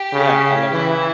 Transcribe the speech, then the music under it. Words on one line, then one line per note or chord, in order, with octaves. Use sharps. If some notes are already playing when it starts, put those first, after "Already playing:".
yeah, I loved it.
Already playing: G4
C#3
E3 E4